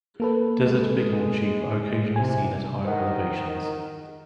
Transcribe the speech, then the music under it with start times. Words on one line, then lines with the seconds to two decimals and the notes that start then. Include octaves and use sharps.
Desert bighorn sheep are occasionally seen at higher elevations.
0.20 A#3 A4 B4
0.62 G#3
2.16 C3 G#5
2.85 D#3 C5 D#5 F#5